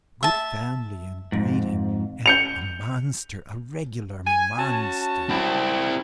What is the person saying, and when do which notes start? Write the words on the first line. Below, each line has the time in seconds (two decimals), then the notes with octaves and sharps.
Of good family and breeding and a monster, a regular monster!
0.23 E5 A5
1.32 F2 G#2
2.26 G6 C#7 F7
4.27 G#5
4.59 C#4 F#4 A5
5.29 C4 E4